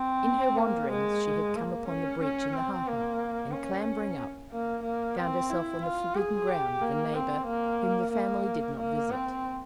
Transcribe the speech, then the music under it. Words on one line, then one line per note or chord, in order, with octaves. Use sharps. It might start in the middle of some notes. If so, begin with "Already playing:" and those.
In her wanderings she had come upon the breach in the ha-ha, and, clambering up, found herself on the forbidden ground of a neighbor whom the family did not visit.
Already playing: C4
A#3
G#3
A#3
C#4
C#4
C4
A#3
C#4
A#3
A#3
C4
E4
F4
G#4
G4
A#3
C4
A#3
A#3
A#3
C4